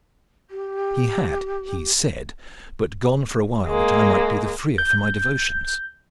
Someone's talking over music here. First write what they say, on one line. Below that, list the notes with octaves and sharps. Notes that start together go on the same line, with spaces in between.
He had, he said, but gone for a while that I might be the freer for my devotions.
G4
G#3 A#3
G6